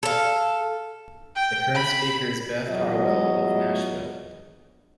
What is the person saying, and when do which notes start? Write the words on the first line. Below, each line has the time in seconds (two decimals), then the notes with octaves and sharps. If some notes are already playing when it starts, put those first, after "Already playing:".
The current Speaker is Beth Harwell of Nashville.
0.03 A4 F5
1.35 G5
1.75 B5
2.68 E2 F#3 F4 D#5